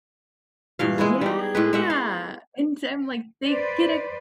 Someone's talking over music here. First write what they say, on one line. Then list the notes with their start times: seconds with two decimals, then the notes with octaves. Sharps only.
yeah, and I'm, like, they get a
0.79 G2 A#2 E3 F5
0.98 G#3 B3 E4 G#4
1.21 G3 D#4
1.55 A2 G#3 B4
1.73 G#3 E5 F#5
1.90 F5
3.44 B4 C5 D5